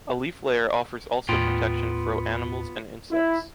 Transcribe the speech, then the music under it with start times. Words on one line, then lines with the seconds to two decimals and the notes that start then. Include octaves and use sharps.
A leaf layer offers also protection fro animals and insects.
1.29 D#2 A2 B3 F4 G5
3.10 E4